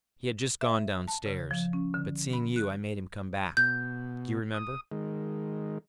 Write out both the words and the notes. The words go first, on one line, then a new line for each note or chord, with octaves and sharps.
He had just gone down-stairs, but seeing you I made him come back; do you remember?
E5
A5
C#3
F3
C#4
D3
B5
F#6
B2 G6
D#6
D#3 G#3